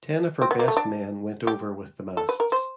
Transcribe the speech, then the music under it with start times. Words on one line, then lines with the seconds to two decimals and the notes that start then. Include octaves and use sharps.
Ten of our best men went over with the masts.
0.41 C4
0.51 B3
0.59 A#3
0.68 A3
0.77 D4
1.47 G4
2.17 A4
2.29 B4
2.40 A#4
2.52 C5